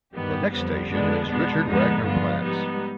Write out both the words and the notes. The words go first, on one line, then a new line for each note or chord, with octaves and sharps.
The next station is Richard Wagner Platz.
G2 D#3 G3 B3 G4
F2 D3 G3 B3 C4
F2 D3 G#3 B3 D4
B2 G#3 B3 D4
F2 D3 F3 G#3 B3 D#4
G2 F3 G#3 B3 F4
G#2 G3 B3 D#4